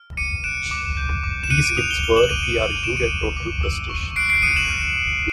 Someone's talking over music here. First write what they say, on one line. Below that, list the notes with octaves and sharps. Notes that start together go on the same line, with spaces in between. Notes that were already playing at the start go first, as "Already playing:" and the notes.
These gifts were, he argued, a total prestation.
Already playing: F6
D6 C#7 D#7
F#6 D7 E7
D6
G6
D6
E7
F#6 C#7 D#7
D7 E7
D#6 D#7 F7
F7 G7
F6 F7 G7
E7 F#7
D6 D#7 F7
C#7 D#7
F#6 C#7 D#7
D#7 F7
C#6 D7 E7
C#7 D#7
F#6
D6
E6
C#6
F#6 C7 D7
C7 D7
D#6 C#7 D#7
E7 F#7
F6
C#6